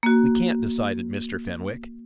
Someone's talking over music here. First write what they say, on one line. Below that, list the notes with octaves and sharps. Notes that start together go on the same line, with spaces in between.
"We can't," decided Mr. Fenwick.
A#3 F#4